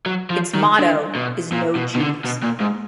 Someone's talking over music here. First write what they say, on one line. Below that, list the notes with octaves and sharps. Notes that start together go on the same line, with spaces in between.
Its motto is No Jews.
F#3
F3
D#3
D3
B2
A#2
B2
B2
D3
B2
A#2
G#2